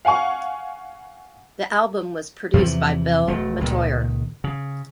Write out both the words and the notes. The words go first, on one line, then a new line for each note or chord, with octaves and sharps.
The album was produced by Bill Metoyer.
F5 F#5 G#5 C#6
E2 C3 E3 F3
E1 F#3 A3
C#2 A#2 D#3
C#3